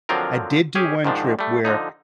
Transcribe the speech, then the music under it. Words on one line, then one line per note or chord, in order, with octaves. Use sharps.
I did do one trip where
D3 F3 F#3 C4 F4 A#4
C#4 G4 G#4
G#2 D#3 F3 D4
G3 A3
D3 F3 D#4